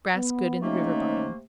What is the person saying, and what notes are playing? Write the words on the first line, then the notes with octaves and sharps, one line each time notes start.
Grass good in the river bottom.
B3
C3 A3 A#3 C#4 D#4